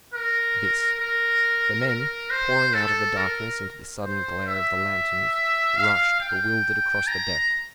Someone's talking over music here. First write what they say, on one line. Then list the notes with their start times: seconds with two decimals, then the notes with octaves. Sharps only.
This--the men pouring out of the darkness into the sudden glare of the lanterns, rushed, bewildered, across the deck.
0.14 A#4
1.00 A#4
1.87 A#4
2.31 C5
2.74 A4
3.17 A#4
4.04 C5
4.47 E5
5.77 F5
6.21 G5
7.07 A#5